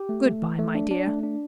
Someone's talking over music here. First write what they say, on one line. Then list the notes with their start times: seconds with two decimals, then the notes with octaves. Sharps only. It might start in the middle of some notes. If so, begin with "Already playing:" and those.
Good-by, my dear.
Already playing: G4
0.09 A3
0.25 A3
0.42 E3
0.59 A3
0.75 D4
0.91 D4
1.07 A3
1.23 D4